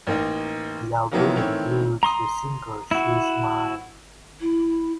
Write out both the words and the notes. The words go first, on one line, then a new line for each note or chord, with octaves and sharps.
The album includes the single "She’s Mine".
A1 A#3 D#4
D#3 F3 F#3 A#3 B3 E4
D#3 E3 A3 C4 E4 C#5
A#5 C6 D#6
E4 F#4
E4